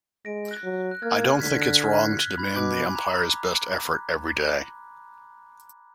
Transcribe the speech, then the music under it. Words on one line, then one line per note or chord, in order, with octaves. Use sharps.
I don't think it's wrong to demand the umpires' best effort every day.
G#3 A#6 D7
F#6 A#6
F#3
F#6
A#3 F6 G#6
F6 G#6
D3 G#6 B6
F#6 A#6
F6 G#6
F#6
F#6
B5
B2 D6
B5
G#5
A#5